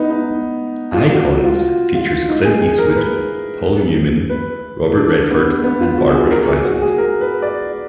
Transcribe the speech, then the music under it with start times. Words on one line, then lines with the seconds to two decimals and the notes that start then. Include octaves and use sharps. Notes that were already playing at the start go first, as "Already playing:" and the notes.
"Icons" features Clint Eastwood, Paul Newman, Robert Redford, and Barbra Streisand.
Already playing: B3 D#4
0.10 D#4
0.94 F4
1.11 F#4
1.44 F4
1.95 F4
2.28 D#4
2.45 G#4
2.62 G#4
2.78 A#4
2.95 B4
4.29 B4
4.97 D4
5.30 B3
5.64 B3
5.81 F4
5.97 F#4
6.14 G#4
6.31 A#4
6.47 G#4
6.64 F#4
6.81 G#4
6.98 A#4
7.21 B4
7.42 D5